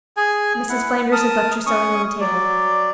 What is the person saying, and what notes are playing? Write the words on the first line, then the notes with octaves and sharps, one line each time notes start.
Mrs. Flanders had left her sewing on the table.
G#4 G#5
E4 F#5
A#4 A5 D#6
C#4 C#6 D#6
F#3 D5